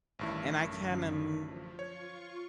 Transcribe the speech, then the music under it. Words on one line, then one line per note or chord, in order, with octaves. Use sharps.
and I can't im
A1 G2 D#3 E4
F#2 D3
F3
F4 C#5 C#6